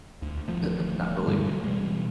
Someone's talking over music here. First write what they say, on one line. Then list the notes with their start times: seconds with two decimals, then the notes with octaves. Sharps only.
eh eh not really
0.22 D2
0.48 D1 F3 A3
1.27 G2 D3 G3 A3
1.47 D#1 F#3
1.64 B2 E3 G3 G#3